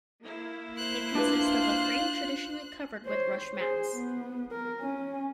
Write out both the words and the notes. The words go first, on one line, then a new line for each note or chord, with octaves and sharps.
It consists of a frame traditionally covered with rush mats.
A#3 E4
C5 F#6
D4 F4 B4
C5 C#5
G#4 C5
B3
A#4
C#4